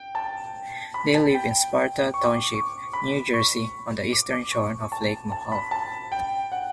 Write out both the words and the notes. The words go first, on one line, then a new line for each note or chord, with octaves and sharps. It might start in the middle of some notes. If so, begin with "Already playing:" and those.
They live in Sparta Township, New Jersey, on the eastern shore of Lake Mohawk.
Already playing: G5
A5
B5
A5
G5
C#6
D6
C#6
B5
C#6
D6
D6
C#6
A5
A5
B5
A5
G5
F#5